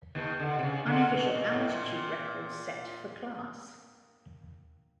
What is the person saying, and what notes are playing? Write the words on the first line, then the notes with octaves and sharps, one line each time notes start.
Unofficial altitude record set for class.
D#2 D#3
D3
C3
C#3
D3
B2
A#2
A2
A#2
A#2